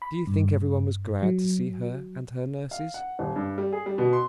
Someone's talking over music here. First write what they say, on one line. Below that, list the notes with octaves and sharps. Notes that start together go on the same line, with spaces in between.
Do you think everyone was glad to see her and her nurses?
B5
G2
F#3
F5
F#5
D#1
G2
G3
G#4
G3
B2
C6